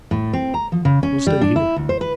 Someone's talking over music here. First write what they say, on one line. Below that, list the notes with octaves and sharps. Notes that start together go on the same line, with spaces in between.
We'll stay here.
A2
C4
A#5
F3
C#3
C#4
G3
D4
E4
D2
C5
B4